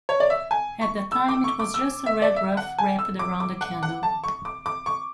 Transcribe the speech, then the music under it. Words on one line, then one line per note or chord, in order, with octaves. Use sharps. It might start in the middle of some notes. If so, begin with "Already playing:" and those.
At that time it was just a red ruff wrapped around a candle.
C#5
D5
E5
G#5
C#6
E6
D6
C#6
D6
E6
E5
D5
E5
F#5
G#5
E6
D6
D6
F#5
F#5
A5
C#6
D6
D6
C#6